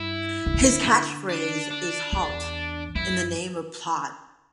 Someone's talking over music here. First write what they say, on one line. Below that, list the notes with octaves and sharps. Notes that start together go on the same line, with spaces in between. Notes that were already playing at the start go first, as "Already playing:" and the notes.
His catchphrase is Halt, in the name of Plod!
Already playing: G2 E4
D3
C#3
D3
D4
D4
E2
F#2 E4